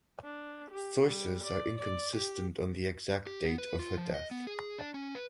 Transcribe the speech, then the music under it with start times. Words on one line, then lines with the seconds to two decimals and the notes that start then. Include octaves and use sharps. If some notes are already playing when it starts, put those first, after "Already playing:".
Sources are inconsistent on the exact date of her death.
0.24 D4
0.71 G4
1.06 G3
1.44 D5
1.79 D5
2.16 G4
3.27 G4
3.45 B3
3.58 B4
3.79 F4
3.97 F3
4.14 D#5
4.31 B3
4.47 G#4
4.78 D4
4.94 C#4
5.15 B4